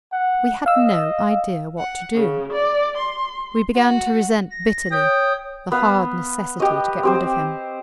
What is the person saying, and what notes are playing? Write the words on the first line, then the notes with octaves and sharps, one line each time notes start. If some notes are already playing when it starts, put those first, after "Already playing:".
We had no idea what to do; we began to resent bitterly the hard necessity to get rid of him.
F#5
D#5 F5 E6
F#5
C#3
D5
C6
F#4
A#6
C#5 G5 D#6
B3 F5
G4 D#5
C4 G4 C5